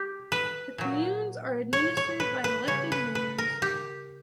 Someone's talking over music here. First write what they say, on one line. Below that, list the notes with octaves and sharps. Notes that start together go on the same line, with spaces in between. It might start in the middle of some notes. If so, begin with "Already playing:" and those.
The communes are administered by elected Mayors.
Already playing: G4
B4
A#2 F#3
C#5
C#5
B4
B4
C#3 G3 C#5
B4
B4
A#4
G4